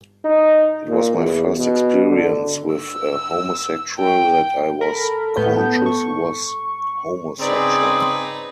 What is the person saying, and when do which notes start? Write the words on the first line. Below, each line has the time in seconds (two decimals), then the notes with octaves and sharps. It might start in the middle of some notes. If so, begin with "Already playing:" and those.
It was my first experience with a homosexual that I was conscious was homosexual.
0.25 D#4
0.89 A#2
1.18 E2
1.57 B2
2.08 D3
2.75 E6
3.99 G5
4.81 A4 A#4 B5
5.37 A2 B3 G6
5.86 C#6
7.40 C#3 C4 D#4 G#4 B4 D5